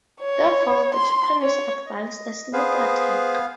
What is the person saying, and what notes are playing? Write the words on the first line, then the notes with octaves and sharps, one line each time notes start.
Therefore, the Japanese advanced a sneak attack.
C#5
C6
C#5
D#5
B3 G#4 B4 C5 F5